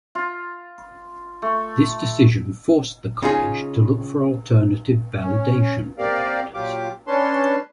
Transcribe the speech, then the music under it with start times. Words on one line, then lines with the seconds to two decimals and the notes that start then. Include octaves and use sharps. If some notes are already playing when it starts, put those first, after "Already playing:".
This decision forced the college to look for alternative validation providers.
0.15 F4
1.42 A3
3.22 C#3 D#4 F4 G#4
5.19 C#4
5.98 A#3 C4 G4 A#4 D5 F5
6.54 A#2 F#3 F4 G4 D6
7.07 C#4 D4 B4 C#5 A5 C6